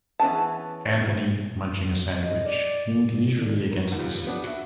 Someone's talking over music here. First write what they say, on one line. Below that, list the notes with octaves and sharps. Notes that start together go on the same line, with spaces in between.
Anthony, munching a sandwich, leaned leisurely against the sink.
E3 B3 C#4 G#4 A5
D#5
D5
D#3 D4
A#4 B4 C#5
D#2 F4 G4 B4
B3 D4
F#4 E5